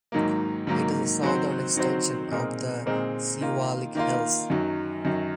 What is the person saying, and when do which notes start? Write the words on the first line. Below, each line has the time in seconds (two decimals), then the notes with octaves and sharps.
It is a southern extension of the Siwalik Hills.
0.12 G#2 D#3 F#3 A#3
0.67 G#2 D#3 F#3 A#3
1.22 D#3 F#3 C4 F#4 C5
1.76 D#3 F#3 C4 F#4 C5
2.31 A#2 G#3 C4 D#4 A#4
2.86 A#2 G#3 C4 D#4 A#4
3.41 D#3 A#3 F4
3.95 D#3 A#3 F4
4.50 F#2 D#3 F#3
5.05 F#2 D#3 F#3